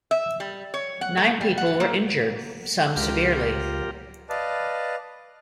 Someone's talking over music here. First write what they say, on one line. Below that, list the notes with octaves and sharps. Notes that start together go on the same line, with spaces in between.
Nine people were injured, some severely.
E5
G3
C#5
F#5
A3
G3
F#5
A#3
C#2 F4 G4 A#4
B4 D5 D#5 F5 A5